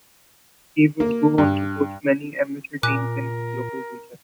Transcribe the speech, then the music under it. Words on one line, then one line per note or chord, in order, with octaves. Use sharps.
He would go on to coach many amateur teams in his local region.
A#3
G2
A#2 A#4 G#5 D6 F#6